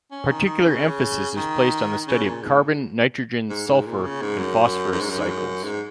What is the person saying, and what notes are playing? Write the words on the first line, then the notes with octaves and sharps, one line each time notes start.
Particular emphasis is placed on the study of carbon, nitrogen, sulfur, and phosphorus cycles.
C#4
D#3
D#3
C#3
D#3
C#3
A#2
G#2
G#2
G#2
A#2
C#3
G#2
F#2
F#2
G#2
F#2
G#2
F#2
G#2